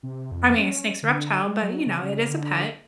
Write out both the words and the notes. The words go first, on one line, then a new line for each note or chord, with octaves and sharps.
I mean, a snake's a reptile, but, you know, it is a pet,
C3
F2
C#4
D3
G#3
F#3
C#3
C#3
D3